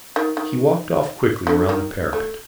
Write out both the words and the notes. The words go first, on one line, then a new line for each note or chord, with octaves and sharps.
He walked off quickly round the parapet.
D#3
D#3
D3
D#3
A3